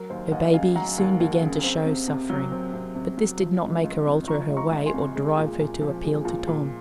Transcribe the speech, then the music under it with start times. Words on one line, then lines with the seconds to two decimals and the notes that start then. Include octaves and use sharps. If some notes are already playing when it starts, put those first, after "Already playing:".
Her baby soon began to show suffering, but this did not make her alter her way, or drive her to appeal to Tom.
Already playing: F#3 A#4
0.10 D#2 C5
0.32 D#2 D#5 F#5
0.53 C#3 F5 G#5
0.75 F#3 F#5 A#5
0.98 D#2
1.20 D#2
1.42 C#3
1.64 C4
1.86 C3
2.08 C3
2.30 F#3
2.52 C4
2.74 C3
2.95 C3
3.18 F#3
3.40 F3
3.62 C#2
3.84 C#2
4.06 C3
4.27 F3 A#5 C#6
4.50 C#2
4.57 A#5 C#6
4.71 C#2
4.86 G#5 C6
4.93 C3
5.16 G#3
5.38 A#2
5.59 A#2
5.82 F3
6.04 G#3
6.25 A#2
6.47 A#2